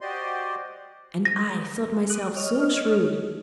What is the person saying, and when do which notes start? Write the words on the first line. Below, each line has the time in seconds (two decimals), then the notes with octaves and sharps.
And I thought myself so shrewd!
0.01 F#4 G4 C5 D5 D#5 C6
1.25 A#6
2.10 D6 D#6 F#6
2.37 C#5 D#5 F6